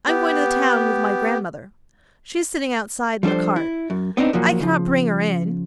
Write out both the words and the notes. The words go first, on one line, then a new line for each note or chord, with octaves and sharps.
'I am going to the town with my grandmother. She is sitting outside in the cart; I cannot bring her in.
B3 G4
F3 G3 D4 A4 C5
E4
F#2
B3 C4 D4 D#4
A#2 F3 F#3 A#3
C#3 F3